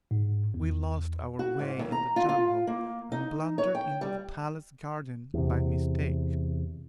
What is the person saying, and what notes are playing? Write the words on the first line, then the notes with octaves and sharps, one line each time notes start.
"We lost our way in the jungle and blundered into the palace-garden by mistake."
G#2
E2
F#4
G#2
D#2
A#5
F4
F4
A#3
D#4
C#5
G5
G3
E2 C3